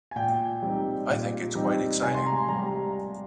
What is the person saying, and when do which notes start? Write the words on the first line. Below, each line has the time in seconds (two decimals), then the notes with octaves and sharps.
I think it’s quite exciting.
0.11 G#5
0.16 A#2 G5
0.63 G3 C4 D#4
1.09 A#2
1.55 G3 C4 D#4
2.02 C3 G#5
2.15 C6
2.26 A#5
2.48 G3 A#5